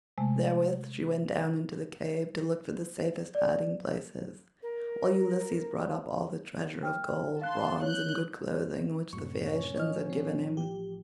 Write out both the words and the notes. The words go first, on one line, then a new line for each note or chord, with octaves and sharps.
Therewith she went down into the cave to look for the safest hiding places, while Ulysses brought up all the treasure of gold, bronze, and good clothing which the Phaeacians had given him.
C3 G#3 A3
D5
A#4
G5 F6
F5 A5 C6 F#6
E4 C#5 F#6 G6
F#2 A2 C3 C#6
C#4
A1 F3 C#5 D#5 F6
C4
G4